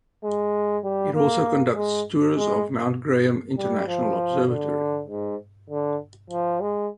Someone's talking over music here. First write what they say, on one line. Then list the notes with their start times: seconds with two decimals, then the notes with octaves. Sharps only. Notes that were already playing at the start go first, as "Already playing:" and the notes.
It also conducts tours of Mount Graham International Observatory.
0.24 G#3
0.84 G3
1.14 A#3
1.75 G#3
2.36 G#3
3.57 G3
3.87 F3
4.48 D3
5.08 G#2
5.70 D3
6.30 F3
6.61 G#3